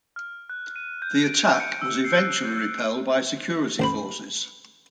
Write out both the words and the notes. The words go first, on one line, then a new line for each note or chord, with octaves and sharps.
The attack was eventually repelled by security forces.
F6
F#6
D#7
G6
D7
C#7
E6
C7
F#6
G6
A1 C5 B5